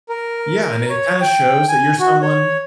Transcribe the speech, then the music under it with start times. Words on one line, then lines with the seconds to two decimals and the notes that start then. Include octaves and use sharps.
Yeah, and it kinda shows that you're someone
0.09 A#4
0.90 C#5
1.21 G5
1.68 G#5
2.00 F#4
2.22 C#5